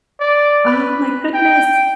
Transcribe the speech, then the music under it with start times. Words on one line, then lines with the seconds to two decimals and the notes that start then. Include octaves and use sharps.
Oh my goodness!
0.20 D5
0.72 B4
1.34 G5